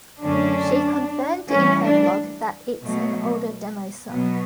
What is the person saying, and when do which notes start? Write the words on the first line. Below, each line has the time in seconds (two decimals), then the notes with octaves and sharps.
She confirmed in her blog that it's an older demo song.
0.22 F#2 D3 A3 C#4 D4
1.51 A2 E3 G3 C#4
1.85 D4
2.82 B2 F#3 A3
4.12 B2 F#3 B3